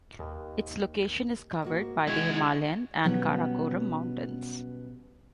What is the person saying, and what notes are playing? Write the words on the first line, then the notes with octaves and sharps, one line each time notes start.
Its location is covered by the Himalayan and Karakoram mountains.
D#2
G#2 A#3 F#4
C3 G#3 E4 F#4 G#6
B2 F#3 G3 B3 C#4